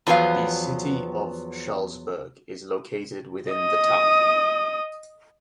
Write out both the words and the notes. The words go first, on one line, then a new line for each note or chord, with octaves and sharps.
The City of Shullsburg is located within the town.
E2 F3 F#3 B3 F5
D#5 D#6